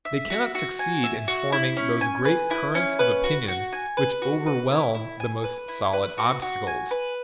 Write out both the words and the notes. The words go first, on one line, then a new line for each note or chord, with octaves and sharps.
They cannot succeed in forming those great currents of opinion which overwhelm the most solid obstacles.
E5
F#4
F#4
G#5
E5
F#4
E4
C#4
G#5
B4
E4
C#4
B4
F#4
F#4
G#5
B4
F#4
B4
E4
E4
G#5
B4
E4
B4
F#4
F#4
G#5
B4